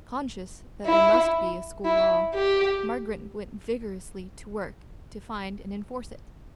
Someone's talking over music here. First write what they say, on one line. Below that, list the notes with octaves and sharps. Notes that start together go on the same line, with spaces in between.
Conscious that there must be a school law, Margaret went vigorously to work to find and enforce it.
E4
E4
G4